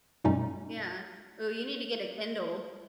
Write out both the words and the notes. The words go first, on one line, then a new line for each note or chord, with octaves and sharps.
Yeah, ooh, you need to get a Kindle.
F#2 B2 G3 A3 C#4 D#4